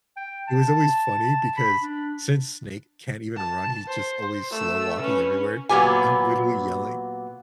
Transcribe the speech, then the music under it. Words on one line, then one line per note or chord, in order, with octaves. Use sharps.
it was always funny because since Snake can't even run, he's just always slow walking everywhere. I'm literally yelling
G5
A5
B5
D4
A5
C5
A3 E6
C#4 B4
A#2 F#3 B3 G4 G#5